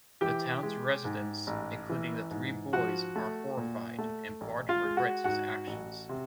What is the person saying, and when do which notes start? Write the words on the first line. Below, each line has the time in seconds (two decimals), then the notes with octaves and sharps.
The town's residents, including the three boys, are horrified and Bart regrets his actions.
0.21 E3 G4 G5
0.63 G#3
1.05 G#2
1.47 A1
1.90 E3
2.31 G#2
2.73 F3 F#4 F#5
3.16 A3
3.57 A#2
3.98 A3
4.41 A1
4.69 F4 F5
4.84 G#3
4.97 F#4 F#5
5.24 G#2 F#4 F#5
5.67 A1
6.09 C3